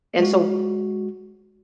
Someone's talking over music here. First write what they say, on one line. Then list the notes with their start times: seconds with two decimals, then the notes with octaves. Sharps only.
And, so
0.19 G#3 F#4